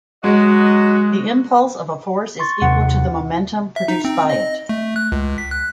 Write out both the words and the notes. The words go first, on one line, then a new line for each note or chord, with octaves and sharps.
The impulse of a force is equal to the momentum produced by it.
F#3 G#3 F#4 D#5
C6 C#6 A6
D#2 C3 F#5
E5
D#4
C4
D#5
A3
F#6
C#2
B6
F#6